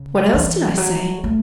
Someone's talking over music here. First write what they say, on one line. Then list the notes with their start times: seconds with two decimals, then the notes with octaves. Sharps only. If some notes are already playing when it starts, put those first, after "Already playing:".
'What else did I say?
Already playing: C#3
0.34 E3
0.77 F#3
1.24 A3